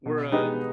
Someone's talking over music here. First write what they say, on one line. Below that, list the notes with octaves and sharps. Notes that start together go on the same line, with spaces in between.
we're, uh,
B2
G#3 B3 D#4 G4